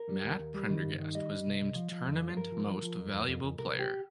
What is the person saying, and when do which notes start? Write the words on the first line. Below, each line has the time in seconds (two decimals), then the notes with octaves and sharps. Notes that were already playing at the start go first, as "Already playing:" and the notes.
Matt Prendergast was named Tournament Most Valuable Player.
Already playing: A#4
0.09 G3
0.24 D#2
0.39 D#2
0.54 G3
0.70 D#3
0.85 G2
1.00 D#3
1.15 G3 D#5
1.30 G3
1.46 C2
1.61 C2
1.75 F3
1.91 F3
2.07 F2
2.21 F3
2.30 C5
2.36 G2 A#4
2.52 F3
2.67 F3
2.82 F3
2.98 F2
3.13 F2
3.28 F2
3.43 F2
3.59 C2 A#4
3.73 C2
3.79 G4